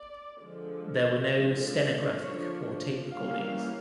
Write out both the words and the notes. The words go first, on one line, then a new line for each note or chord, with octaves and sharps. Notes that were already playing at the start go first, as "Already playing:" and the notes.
There were no stenographic or tape recordings.
Already playing: D5
D3 F3 G#3
D3 F3 G#3
F3 A3 D4 C#5
E3 G3 A#3 C#4 F5